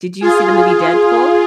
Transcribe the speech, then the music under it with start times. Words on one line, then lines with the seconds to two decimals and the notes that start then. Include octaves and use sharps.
did you see the movie Deadpool?
0.21 F4 G#4